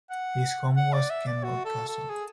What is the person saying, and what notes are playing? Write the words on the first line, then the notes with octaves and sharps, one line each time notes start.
His home was Kenmure Castle.
F#5
F#5
D5
E5
D5
F#4
A4
A4
G#4